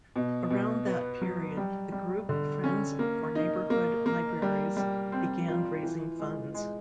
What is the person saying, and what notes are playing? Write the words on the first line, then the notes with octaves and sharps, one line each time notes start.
Around that period the group Friends for Neighborhood Libraries began raising funds.
B2
B2
B3
F#3
G3
G3
D3
C#4
A#3
D#4
A#3
A#3
G3
G3
C4
F4
E3
G#3
G#3